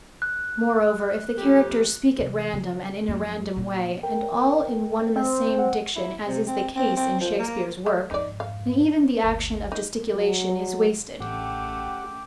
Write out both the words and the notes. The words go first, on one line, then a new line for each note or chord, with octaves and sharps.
Moreover, if the characters speak at random and in a random way, and all in one and the same diction, as is the case in Shakespeare's work, then even the action of gesticulation is wasted.
F#6
F2 A3 G4
C3 E3
C#3
F#2 F3
A#2 A#3
A#4 G5
C4
F#5
E4
C3
C4
C4
C4
F3
A#3
A3
F2 G#2 D#4 D5
F5
G1 D2
D#4
F#3
A1 C#3 A3 G4 F#5 G5 D6